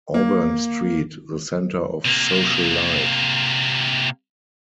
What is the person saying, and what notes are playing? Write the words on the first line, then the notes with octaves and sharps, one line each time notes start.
Auburn Street, the centre of social life.
A#3
C3 A#3